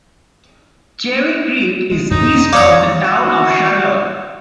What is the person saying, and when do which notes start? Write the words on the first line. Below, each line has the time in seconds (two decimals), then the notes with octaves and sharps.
Cherry Creek is east of the town of Charlotte.
1.92 G#3
2.11 F2 C3 D#4
2.53 C#5 D5 F5 A#5 D#6
3.01 F#4